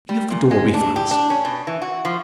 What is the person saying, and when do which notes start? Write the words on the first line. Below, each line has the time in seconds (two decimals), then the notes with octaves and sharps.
See if the door be fast.
0.09 G3
0.30 A#2
0.51 G#3
0.74 D4
0.96 G4
1.11 D4
1.30 C#4
1.45 B2
1.67 E3
1.82 F#4
2.05 F3